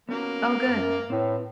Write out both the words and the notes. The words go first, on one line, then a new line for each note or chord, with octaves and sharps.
Oh, good.
A#3 B3 C#4 F#4
F#2 A#4
A2 C4 B4